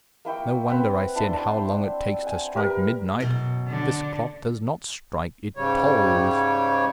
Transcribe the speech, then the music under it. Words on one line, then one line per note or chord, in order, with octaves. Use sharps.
No wonder I said, 'How long it takes to strike midnight!' This clock does not strike; it tolls.
A#3 E4 G5 C#6
C4 B4 F#5 B5
D4 E4 A5 C6
D4 C5
F#5 G#5
G4 A#4 B4
F#2 B2
D3
G#2 C#3 G3 C#5